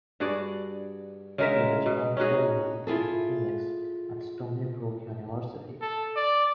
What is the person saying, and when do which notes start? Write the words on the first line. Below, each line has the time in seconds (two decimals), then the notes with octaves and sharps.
He did his doctoral work in physics at Stony Brook University.
0.20 G2 F#4 G#4 D5
1.38 C#3 G#3 A#4 E5
1.86 B2
2.17 C#4 D#4 F#4 G#4
2.87 E4 F4 G#4 A4
5.81 A4
6.16 D5